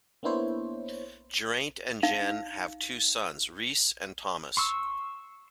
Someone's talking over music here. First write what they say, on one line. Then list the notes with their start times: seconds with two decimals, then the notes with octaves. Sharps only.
Geraint and Jen have two sons, Rhys and Thomas.
0.23 A#3 B3 D4 E4 C5 C#5
2.03 D#4 F5
4.57 C6 C#6 E6